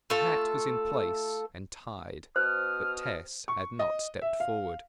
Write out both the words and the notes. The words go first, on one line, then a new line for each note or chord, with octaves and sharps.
The hat was in place and tied, but Tess had not stepped forward.
A3 F4 A4
B2 C5 D#6 F6
C#6
D#5
E5
F5